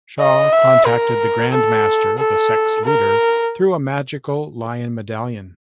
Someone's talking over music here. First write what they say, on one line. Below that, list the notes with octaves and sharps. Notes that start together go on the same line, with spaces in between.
Shaw contacted the Grand Master, the sect's leader, through a magical lion medallion.
D#5
E5
A#4
A4
A4
A#4